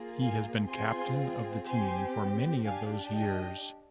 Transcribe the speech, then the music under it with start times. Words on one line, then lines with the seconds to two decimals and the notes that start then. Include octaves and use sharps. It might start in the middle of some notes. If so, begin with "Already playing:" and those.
He has been captain of the team for many of those years.
Already playing: A#3 F4 G#4
0.21 F5 G#5
0.70 C4 F4 G#4 G#5 C6
1.67 C4 G4 G#5 C6
2.65 D4 G4 F5 G#5
3.13 D#5 G5